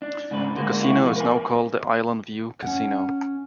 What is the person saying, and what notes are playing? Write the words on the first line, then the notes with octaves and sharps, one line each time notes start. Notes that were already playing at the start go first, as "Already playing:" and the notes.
The casino is now called the Island View Casino.
D4
G#2 C#3 D4 B4
D3 G#3 A#3 F#4
G#3 E4 F#4
F2 B2
A#4 B4 G#5
C#4 F#5